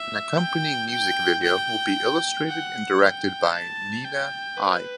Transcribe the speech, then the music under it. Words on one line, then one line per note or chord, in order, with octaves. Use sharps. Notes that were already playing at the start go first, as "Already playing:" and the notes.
An accompanying music video will be illustrated and directed by Niina Ai.
Already playing: E5
G5
G5
G5
F#5
G5
A5
G5
B4